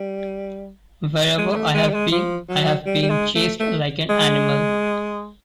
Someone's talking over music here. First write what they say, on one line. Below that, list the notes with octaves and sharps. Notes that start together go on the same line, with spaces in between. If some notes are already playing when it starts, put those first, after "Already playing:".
Wherever I have been, I have been chased like an animal.
Already playing: G3
G#3
G#3
A3
G#3
G3
G#3
F3
F#3
G3
G3
G#3
A3
A3
G#3